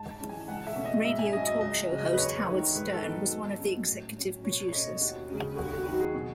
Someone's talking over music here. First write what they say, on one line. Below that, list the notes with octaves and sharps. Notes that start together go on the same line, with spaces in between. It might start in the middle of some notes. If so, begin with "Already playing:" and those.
Radio talk show host Howard Stern was one of the executive producers.
Already playing: G#2 A5
A5
E3 G#3 C#4
G#5
C#2 F#5
E5
B2 A3 C#4
D#5
G#2 E5
G#5
F#3 C#4 D#5
D#5
C#2 D#5
C#3 F#3
D#5
B4
E2 C#5
D#3 A3
G#2 B4
A4
D#3 F#3 B3
G#2
F#3 C#4
A2
F#3 C#4
B2 C#5
C#5
A3 C#4 D#5
D#2 F#4
C#3 G#3 C#4
D#2 F#4
F#4
D#3 F#3 F#4
G#4
B2